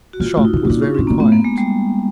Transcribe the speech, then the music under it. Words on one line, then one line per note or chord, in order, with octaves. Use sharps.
The shop was very quiet.
F#4
A#2 F4
A2 E4
D#4
B2
D#4
A2
A#2 D4
C#4
B2 C4
A#2 A#3
A2 B3
A#3
G#3
G3